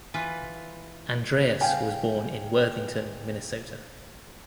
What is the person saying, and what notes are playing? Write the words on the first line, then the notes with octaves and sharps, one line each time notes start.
Andreas was born in Worthington, Minnesota.
E3 F4 B4
F5 G5 G#5